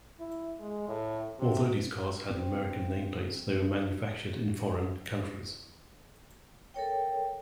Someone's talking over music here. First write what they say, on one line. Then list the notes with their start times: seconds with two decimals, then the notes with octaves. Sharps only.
Although these cars had American nameplates, they were manufactured in foreign countries.
0.20 E4
0.59 G#3
0.88 A2
1.39 C3
2.30 C4
6.74 A4 A#4 C#5 G5